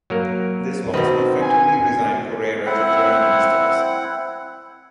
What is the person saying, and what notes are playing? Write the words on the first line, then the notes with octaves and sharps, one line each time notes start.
This loss effectively resigned Correira to journeyman status.
F#3 A#3 A#4
B2 D#3 C4 B4
G#5
C4 E4 F#5